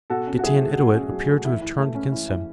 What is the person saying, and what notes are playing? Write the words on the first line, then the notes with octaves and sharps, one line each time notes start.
Getanittowit appeared to have turned against him.
B2 F#4 A4
C#4
F#4
F#3 E4 G#4
A3
B2 F#4
C#4
F#3
A3
E3 E4
E3
A3
C#4
E3
E3